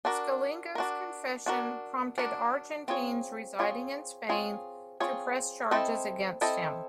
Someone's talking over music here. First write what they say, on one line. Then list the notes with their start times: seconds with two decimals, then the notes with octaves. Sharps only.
Scilingo's confession prompted Argentines residing in Spain to press charges against him.
0.05 D4 F#4 A#4
0.75 D4 F#4 A#4
1.46 D4 F#4 A#4
2.18 D4 F#4 A#4
2.88 C4 F4 G#4 C#5
3.59 C4 F4 G#4 C#5
4.29 C4 F4 G#4 C#5
5.00 C4 F4 G#4 C#5
5.71 C4 E4 A4 C5 D#5
6.41 C4 E4 A4 C5 D#5